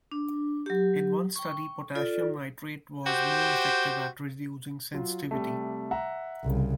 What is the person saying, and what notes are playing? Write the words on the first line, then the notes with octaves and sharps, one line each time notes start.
In one study, potassium nitrate was more effective at reducing sensitivity.
D4
F#3 G4
G5 C#6
F4 A4 D5
F#4 G4 C5 G5
F#3 F4
C3 G3 A3
E5 F#5 A#5
C2 C#3